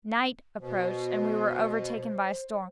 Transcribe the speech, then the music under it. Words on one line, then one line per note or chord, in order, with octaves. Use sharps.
Night approached, and we were overtaken by a storm.
B2 C5